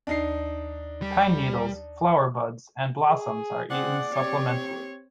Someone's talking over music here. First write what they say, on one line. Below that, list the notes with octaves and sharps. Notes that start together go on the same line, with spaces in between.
Pine needles, flower buds and blossoms are eaten supplementally.
D#2 D4 D#4 D5 C7
G3
G#4
C4 G#4 D5 F#5
C4 G4 C#5